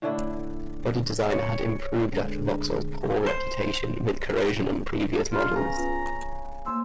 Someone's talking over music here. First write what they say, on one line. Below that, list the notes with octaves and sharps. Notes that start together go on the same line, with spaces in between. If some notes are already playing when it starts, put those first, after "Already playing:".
Body design had improved after Vauxhall's poor reputation with corrosion on previous models.
A2 D3 D4 E4
C#5
D2 D3 G#3 B3 D4 C#5
C5
F4
C#3 B3 G#4 B4 A#5
C#4 F4 B4
A3 A#3 C5 E6